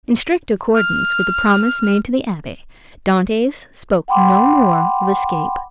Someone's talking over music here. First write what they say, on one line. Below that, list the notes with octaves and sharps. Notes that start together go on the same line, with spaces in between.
In strict accordance with the promise made to the abbe, Dantes spoke no more of escape.
F6
F#5 G5 B5 C6 D6